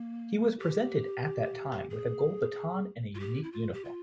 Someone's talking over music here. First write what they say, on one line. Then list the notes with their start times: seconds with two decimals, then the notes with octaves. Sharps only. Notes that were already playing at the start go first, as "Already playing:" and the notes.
He was presented at that time with a gold baton and a unique uniform.
Already playing: A#3
0.59 G4
1.90 G#4
3.15 F4
3.20 G4
3.43 E4
3.52 F4
3.73 G4
3.85 F4